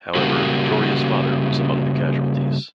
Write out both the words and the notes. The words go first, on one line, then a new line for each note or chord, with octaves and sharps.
However, Victoria's father was among the casualties.
C#3 G3 A#3 F#4